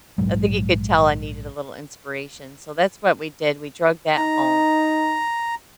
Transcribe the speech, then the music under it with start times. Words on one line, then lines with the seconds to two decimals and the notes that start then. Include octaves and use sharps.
I think he could tell I needed a little inspiration. So that's what we did. We drugged that home.
0.18 A#1 G#2 F#3 G#3
4.17 D#4 A#5